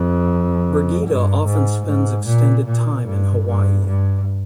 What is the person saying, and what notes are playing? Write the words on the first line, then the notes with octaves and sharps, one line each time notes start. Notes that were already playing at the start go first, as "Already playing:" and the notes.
Bregeda often spends extended time in Hawaii.
Already playing: F2
G2
G#2
G#2
A#2
A#2
G2
G2
G2